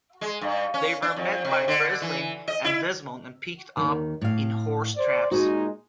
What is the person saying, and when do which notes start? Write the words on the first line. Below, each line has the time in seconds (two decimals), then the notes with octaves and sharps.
They were met by Breslin and Desmond and picked up in horse traps.
0.21 G#3
0.41 G2
0.74 C#4
1.02 D4
1.17 F2
1.45 C3
1.68 D3
2.02 E3
2.48 D#5
2.65 E4
3.77 D#2 G#2 D#3
4.21 A2 F5
4.97 C5 D5
5.31 A#2 G#3 D#4 F#4 G#5